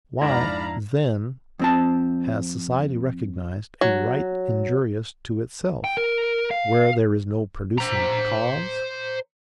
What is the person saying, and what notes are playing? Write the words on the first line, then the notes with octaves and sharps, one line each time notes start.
Why, then, has society recognized a right injurious to itself, where there is no producing cause?
F2 G#2 D4 E4 D5 F5 A#5 B5
F2 C4 A5
F#3
G5
A#4
F5
C5 A#5